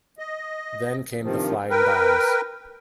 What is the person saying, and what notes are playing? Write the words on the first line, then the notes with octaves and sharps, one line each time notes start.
Then came the flying bombs.
D#5
G2 C3 D#3 F3
A#4 B4 G5